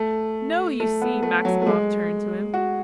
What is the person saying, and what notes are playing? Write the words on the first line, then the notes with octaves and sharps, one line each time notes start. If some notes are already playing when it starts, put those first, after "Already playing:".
"No, you see," Maximov turned to him.
Already playing: A3
A3
B3
A3
F#3
A3
G#3
F#4